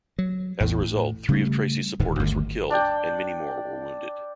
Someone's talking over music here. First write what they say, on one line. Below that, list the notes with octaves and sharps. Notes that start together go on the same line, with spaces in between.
As a result, three of Tracey's supporters were killed and many more were wounded.
F#3
A1 E2 A2
A2
C#3 G3 A3
D1 G#2 D#3
G1 D2 G2 D#3
D4 D5 G5